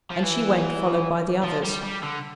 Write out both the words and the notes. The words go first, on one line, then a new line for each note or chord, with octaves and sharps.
And she went, followed by the others.
F3
E3
F3
G3
G3
D3